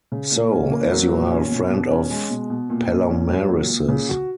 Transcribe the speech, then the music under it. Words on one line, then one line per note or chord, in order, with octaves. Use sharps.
So, as you are a friend of Palomares’...
C#3
A#2
C#4
A#3
F#3
A#2
C#4
B2
B2
C#4
G#3
B2
B2
A#2
A#2
C#4
F#3
A#2
A#2
C#3
F#4